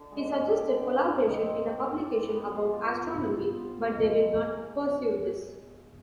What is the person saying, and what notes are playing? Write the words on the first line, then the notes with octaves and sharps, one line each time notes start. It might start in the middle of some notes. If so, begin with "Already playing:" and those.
He suggested collaboration in a publication about astronomy but they did not pursue this.
Already playing: D3 D4
G#3
G#3
G4
D3
D5
C4
D#4
C4
C4
D5
D5
B4
B3
C5
F4
B3
F4
C5
B3
C5
D#3
G#3
D#3